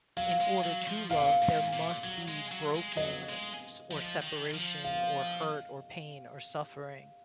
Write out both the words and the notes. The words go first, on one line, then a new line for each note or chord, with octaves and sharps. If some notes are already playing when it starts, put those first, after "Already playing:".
in order to love, there must be broken s or separation or hurt or pain or suffering.
F#3 F5
G#3
F#3
F3
A#2 F5
G#2
A#2
F#3
G#3
F#3
G#3
F#3 D#5
G#3
F3
D#3
F3
F5